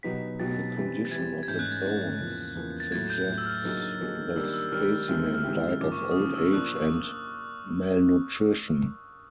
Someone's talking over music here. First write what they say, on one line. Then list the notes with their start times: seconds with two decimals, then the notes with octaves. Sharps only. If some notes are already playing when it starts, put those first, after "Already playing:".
The condition of the bones suggests the specimen died of old age and malnutrition.
0.03 B2 F#3 B3 D#4 G4 B6
0.39 B2 F#3 B3 D#4 G4 A6
0.76 E3 G3 C4
1.05 A6
1.11 E3 G3 C4 G#6
1.43 G#6
1.48 G#2 E3 A3 C#4 G6
1.59 F#6
1.72 G#6
1.84 G#2 E3 A3 C#4
2.20 E2 C#3 F3 A#3
2.55 E2 C#3 F3 A#3
2.80 A6
2.92 A2 F#3 A3 G#6
3.10 G6
3.28 A2 F#3 A3
3.38 E6
3.45 F6
3.64 D3 F#3 A#3 D#4 G#4
4.00 D3 F#3 A#3 D#4 G#4
4.36 D#3 G3 A#3 D4 G4 E6
4.54 E6
4.72 D#3 G3 A#3 D4 G4 F6
5.08 D#3 G#3 C4 E4 G4 F6
5.35 F6
5.44 D#3 G#3 C4 E4 G4 E6
5.81 F#2 C#3 F3 A#3 D6
5.92 C#6
6.05 D6
6.11 D#6
6.17 F#2 C#3 F3 A#3 D6
6.35 E6
6.53 F3 A#3 D4 F#6